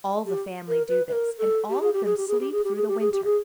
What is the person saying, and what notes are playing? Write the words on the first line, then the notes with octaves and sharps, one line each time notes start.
All the family do this, and all of them sleep through the winter.
G4
A#4
B4
B4
A#4
A4
G4
G#4
G4
G#4
G4
G#4
G4
G#4
G4
G#4
G4
G#4
G4
G#4